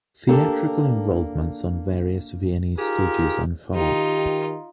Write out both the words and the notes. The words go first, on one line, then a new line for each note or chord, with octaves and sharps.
Theatrical involvements on various Viennese stages followed.
A#3 D4 G4 A4
D#4 F4 G4 G#4 A#4
D#3 D#4 F4 G4